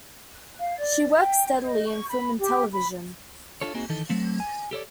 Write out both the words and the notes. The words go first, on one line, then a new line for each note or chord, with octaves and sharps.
She worked steadily in film and television.
F5
D5
G5
D#5
C#6
B5
G4
B5
D4 F4 A4 C#5
A#3 C4 D#4 F#4 G#4
D#3 E3 D#4 A4
F#3 A3 C4
G#5
G4 A4 C#5 D5